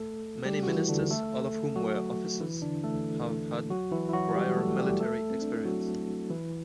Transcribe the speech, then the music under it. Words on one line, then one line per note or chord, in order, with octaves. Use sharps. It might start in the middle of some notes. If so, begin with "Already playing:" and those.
Many ministers, all of whom were officers, have had prior military experience.
Already playing: A3 A4
G3 G4
F#4
E3 E4
D3 D4
A3 A4
F#3 F#4
E3 E4
D3 D4
A3 A4
F#3 F#4
E3 E4
E4
F#3 F#4
G3 G4
A3 A4
G3 G4
A3 A4
C4
D4
E4
F#3 F#4
E3 E4